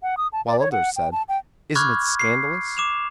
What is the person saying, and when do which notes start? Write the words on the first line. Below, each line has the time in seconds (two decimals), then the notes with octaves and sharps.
While others said--"Isn't it scandalous!"
0.03 F#5
0.17 D#6
0.33 A5
0.47 D5
0.60 C#5
0.72 F#5
0.96 G5
1.12 A5
1.28 G5
1.75 B5 C#6 D6 F6 F#6 G#6
2.19 C7
2.77 D6 E7 F7